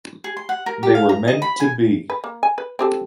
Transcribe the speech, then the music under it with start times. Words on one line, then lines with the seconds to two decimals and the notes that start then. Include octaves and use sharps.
They were meant to be.
0.24 G#4
0.37 C6
0.49 F#5
0.66 A#4
0.83 G4
0.95 F5
1.09 A#5
1.28 D#5
1.42 B5
1.60 G#5
2.10 B4
2.24 A#3
2.43 G#5
2.58 B4
2.79 C4 G4 A4